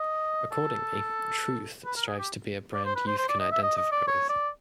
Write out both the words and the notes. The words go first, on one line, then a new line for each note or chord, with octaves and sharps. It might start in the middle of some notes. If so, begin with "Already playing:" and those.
Accordingly, "truth" strives to be a brand youth can identify with.
Already playing: D#5
A4
B4
A#4
G#4
G4
D5
C5
B4
C5
C5
D5
D#5
E5
D#5
D#5
D5
C#5
D5